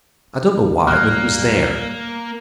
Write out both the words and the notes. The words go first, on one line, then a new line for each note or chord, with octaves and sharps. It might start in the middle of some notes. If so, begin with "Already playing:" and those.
I don't know why, but it was there.
D#2 A#2 G3 A#3 F6 F#6